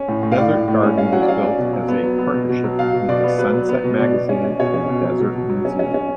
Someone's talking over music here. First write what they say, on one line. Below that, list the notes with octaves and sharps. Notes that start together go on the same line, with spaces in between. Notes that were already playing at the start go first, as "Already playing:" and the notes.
Desert Garden was built as a partnership between "Sunset" magazine and the Desert Museum.
Already playing: C#4
A2
A2
F5
A2 D5
A2
A2
C#4
C#4 F5
F#3 F#5
D5
C#4 F5
C#4 D5
B2
F#3
B3
F#3
B3
B2
B2
F#3
B2 F5
B2
B2 D5
B3
F#3 B4
F#3
B3
B2
B2 D5
B2
C#4
C#4
B2 C#5
C#4
B2
F#3
B2
B2
F#3
C#4
C#4
C#4